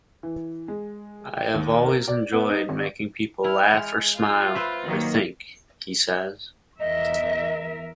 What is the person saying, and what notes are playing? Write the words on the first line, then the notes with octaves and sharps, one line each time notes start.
I have always enjoyed making people laugh or smile or think, he says.
E3
G#3
G5
D#2
A#4
D5
B3
D#4
G#1
E4 F6
G#3
F4
B4 C5 E5
D#3 F#3 A#3
E2 A#4 D#5 E5